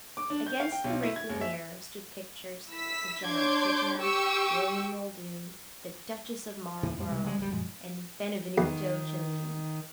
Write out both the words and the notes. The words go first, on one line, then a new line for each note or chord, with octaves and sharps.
Against the wrinkly mirror stood pictures of General Kitchener, William Muldoon, the Duchess of Marlborough, and Benvenuto Cellini.
D6
D4
G6
F5
G5
B1
E4
G#6
F#1
E5
E4 E6 B6
D4 C#5 C6 D6 G6 G#6
G4 G5 C#6 E6
D#2 A2 C#3 E3
F2 A2 G3
C2 C3 G3 G#3
C#3 G3 G#3
G#1 D2 G3
F#2 A#2 F3 G#3
E2 D#3